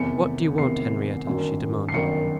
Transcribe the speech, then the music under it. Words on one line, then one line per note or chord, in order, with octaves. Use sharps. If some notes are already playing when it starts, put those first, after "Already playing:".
"What do you want, Henrietta?" she demanded.
Already playing: F1 E2 C3 D#3 C#7
F1 E2 C3 D#3 C7
G1 F#2 D#3 F#3
C7
G1 F#2 D#3 F#3 C#7